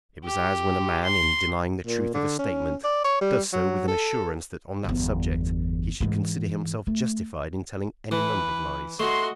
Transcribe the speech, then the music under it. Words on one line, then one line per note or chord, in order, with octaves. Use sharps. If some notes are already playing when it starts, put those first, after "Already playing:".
It was as when a man, in denying the truth of a statement, does so with an assurance that on that subject he should consider himself justified in telling any number of lies.
G4
C6
A#2
D3
C#4
D5
C#5
G3
F#3
A4
G1 E2
G#2 E3
A3
E3 B4
A3 F#4 D#5 C6